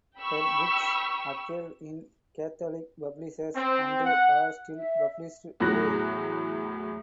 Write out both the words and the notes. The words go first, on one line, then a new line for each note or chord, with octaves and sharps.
Her books appeared in Catholic publishers and are still published today.
G5 B5 C#6 E6
C4
F#5
E5
E2 A2 F#3 F#6 A#6